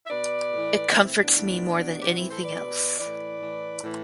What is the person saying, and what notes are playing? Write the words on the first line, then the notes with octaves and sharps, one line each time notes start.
It comforts me more than anything else.
E5
B2 B4 D5
A2 E3
F#4
A2 E3 C4 E4
C4 E4
B3 D4
A2 E3
B2
G4
F#4
A2 E3 C4 E4
A4 C5
B4 D5
B2
A2 E3 B4 D5
A2 E3
A2 E3